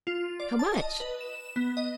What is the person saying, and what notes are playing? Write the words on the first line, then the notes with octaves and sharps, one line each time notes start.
"How much?"
F4
D5
A5
D#5
B4
E7
B3
D#5